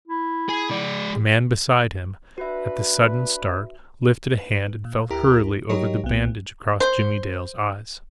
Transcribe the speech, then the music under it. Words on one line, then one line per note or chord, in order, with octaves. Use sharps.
The man beside him, at the sudden start, lifted a hand and felt hurriedly over the bandage across Jimmie Dale's eyes.
E4
G#4
G#3 D5
D4 F#4 B4 E5
B4
A#2
D2 E4 G4 A#4 A#5
F#3 D#4 G4 A#4 C#5 D#5
B1 B3
C5